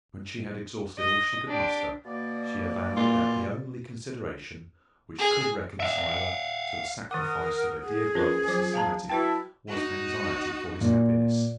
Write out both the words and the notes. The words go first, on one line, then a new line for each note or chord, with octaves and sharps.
When she had exhausted all she could muster, she avowed that the only consideration which could reconcile her to the sacrifice of her dear brother's society was anxiety for his happiness.
D#5
D4 G4
B2 A#3 D5
A#2 F4
G#4
E5 F5
D#3 A#4 F#5 D6 D#6
G#4
F3 C#4 A#4 B4
F#3 C5 D6
F5 A5 A#5
E4 F#4 B4 G5 A5
D#4 F#4
A#2